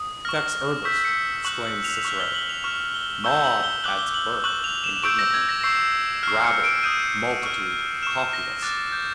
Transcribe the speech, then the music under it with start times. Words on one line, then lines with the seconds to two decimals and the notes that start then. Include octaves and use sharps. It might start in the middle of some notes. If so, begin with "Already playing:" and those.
Fex urbis, exclaims Cicero; mob, adds Burke, indignantly; rabble, multitude, populace.
Already playing: D#6
0.25 C#6 F6 A#6
0.84 C#6 E6 G6 B6
1.05 C#7
1.45 C#6 F#6 F#7
1.65 F#7
1.84 F7
2.05 C#6 F6 F7
2.20 G7
2.35 F#7
2.49 F7
2.64 C#6 F6
2.94 G7
3.24 C#6 E6 G6 G7
3.44 F#7
3.64 G7
3.84 D6 F#6 F#7
3.99 G7
4.14 F#7
4.44 C#6 F#6 F#7
4.64 F7
4.84 E7
5.04 C#6 E6 G6 D7
5.19 A#6
5.34 G#6
5.49 A#6
5.64 C#6 E6 G6 C7
6.23 C#6 F6 C7
6.44 C#7
6.64 D7
6.83 D#6 G6 D#7
7.43 C#6 F6
8.03 C#6 F6 E7
8.33 A#6
8.63 D6 F#6 A6
8.92 G6